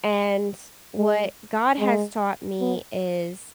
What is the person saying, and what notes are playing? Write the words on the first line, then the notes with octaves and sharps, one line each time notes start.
and what God has taught me is
G#3
G#3
B3